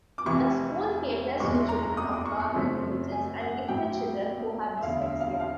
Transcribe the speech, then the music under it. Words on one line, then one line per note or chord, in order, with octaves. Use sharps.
The school caters to children of normal intelligence and gifted children who have dyslexia.
D6
F1 F2 C3 E3 C#6
F#1 E2 B2 G#3 C#6
C6
A#5
A#5
D#6
D6
C#6
C#6
F#2 C#3 F3 A3 C4 C6
G#5
F#5
A1 A2 F#3 G5
E5
E1 D2 D3 F5
E5
F5
F5